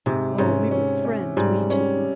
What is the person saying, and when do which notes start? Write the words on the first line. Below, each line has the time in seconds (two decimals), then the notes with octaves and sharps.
Oh, we were friends, we two!
0.06 G#2 C3
0.38 G#2 C#4
0.71 C#4
1.05 C#4
1.37 G#2 G3
1.70 C#4